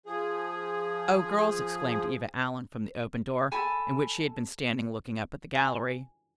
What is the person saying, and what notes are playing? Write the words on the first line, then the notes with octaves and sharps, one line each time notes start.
"O girls!" exclaimed Eva Allen from the open door, in which she had been standing looking up at the gallery.
F3 G#4
A4 G#5 A5 B5
G#5